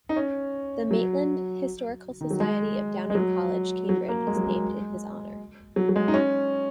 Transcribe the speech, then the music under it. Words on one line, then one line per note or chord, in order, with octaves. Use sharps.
The Maitland Historical Society of Downing College, Cambridge, is named in his honour.
D#4
C#4
F#3
D#3
F#3
G#3
G#3
F#3
F#3
A#3
G#3
F#3
G#3
F#3
F#3
G#3
D#4
C#4